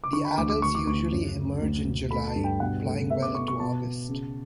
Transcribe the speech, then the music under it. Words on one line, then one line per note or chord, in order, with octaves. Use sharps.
The adults usually emerge in July, flying well into August.
D6
D3 C#6
B5
D2 D6
D6
D2 C#6
D6
D2 C#6
F#2
F#2
D2
D2
A3 B5
A5
G2
G5
B2 F#5
A3
B3 E5
D6
B3 C#6
C#6
B2 A5
B2
C#3